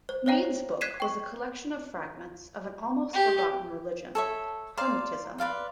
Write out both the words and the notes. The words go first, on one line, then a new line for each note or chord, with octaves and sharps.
Mead's book was a collection of fragments of an almost forgotten religion: Hermetism.
C5
C5 C#5 F5 G5 A#5
F#6 G#6 B6 C7 D#7 E7
G5 C#6
G4
A4 C#5 E5
C5 D5 F5 A#5
B4 D5 F5 C6